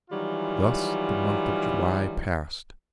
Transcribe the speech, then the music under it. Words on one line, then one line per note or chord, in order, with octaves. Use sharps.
Thus the month of July passed.
D#3 E3 F#3 G3 F4